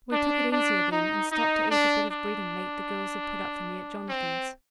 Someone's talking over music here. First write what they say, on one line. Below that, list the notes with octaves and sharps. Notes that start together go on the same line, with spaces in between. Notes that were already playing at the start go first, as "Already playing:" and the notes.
We took it easier then, and stopped to eat a bit of bread and meat the girls had put up for me at Jonathan's.
D4
D4
D#4
D#4
D4
D4
C4